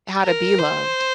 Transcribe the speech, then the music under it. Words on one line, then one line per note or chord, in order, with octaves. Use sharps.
How to be loved.
A#4
C5